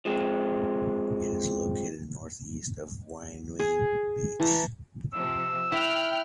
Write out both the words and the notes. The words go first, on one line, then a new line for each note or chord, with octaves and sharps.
It is located north east of Wainui Beach.
F3 G#3 C4
G#4
E3 A5 A#5
C3 F3 E6
E4 G5 F6 F#6